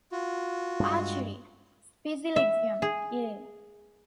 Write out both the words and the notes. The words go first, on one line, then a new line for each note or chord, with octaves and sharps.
Achery, "Spicilegium", ii.
F4 F#4
G2 G#3
E5
G#4